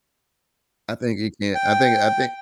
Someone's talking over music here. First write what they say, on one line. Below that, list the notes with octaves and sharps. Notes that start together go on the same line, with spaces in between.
I think it can I think I think,
G5